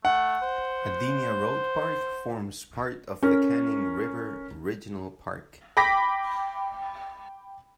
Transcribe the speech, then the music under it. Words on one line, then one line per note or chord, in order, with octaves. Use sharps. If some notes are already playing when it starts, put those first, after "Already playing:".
Adenia Road Park forms part of the Canning River Regional Park.
A3 F#5
C5
C#4 A#4
G5 B5 D6 A#6 B6